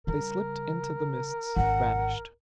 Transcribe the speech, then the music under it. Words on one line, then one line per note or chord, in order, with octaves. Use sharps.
They slipped into the mists; vanished.
C#3 G3 A#4
G#1 C#4 F#5